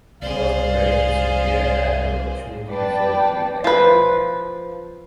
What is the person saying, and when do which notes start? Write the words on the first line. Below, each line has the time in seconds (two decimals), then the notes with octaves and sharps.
He was promoted to rear admiral shortly before leaving the Academy.
0.22 C2 G#4 C5 D5 F5
2.70 B4 D5 G5 A5
3.64 F3 B4